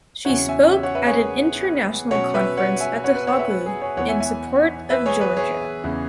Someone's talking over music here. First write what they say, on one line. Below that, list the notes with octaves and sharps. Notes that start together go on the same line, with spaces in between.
She spoke at an international conference at The Hague in support of Georgia.
E2 C#3 F#3 C#4 E4 C#5 F#5
E5 G#5
C#5
E5
C#5 F#5
B4 E5
G#4 C#5
B2 F#3 C#4 C#5 F#5
B4 E5
C#5 F#5
E5 G#5
C#5 F#5
B4
C#5 F#5
B4 E5
B4
G#4
G#4 C#5
E2 E3 B3 C#5 F#5
E5 G#5
E5 G#5
B4 E5
G#4 C#5
B4
G#4 C#5
E2 C#3 E3 C#4 E4